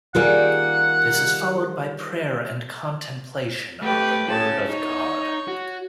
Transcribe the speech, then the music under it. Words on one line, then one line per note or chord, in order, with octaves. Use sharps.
This is followed by prayer and contemplation on the Word of God.
D#3 G3 A#3 F4 G#4 A#4 F#5
A3 G4 B4
G#4 C#5 A5
D#4 C#5
F#4